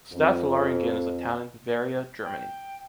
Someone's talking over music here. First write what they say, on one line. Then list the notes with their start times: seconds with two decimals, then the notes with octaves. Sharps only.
Stadt Lauringen is a town in Bavaria, Germany.
0.13 F2
2.23 G5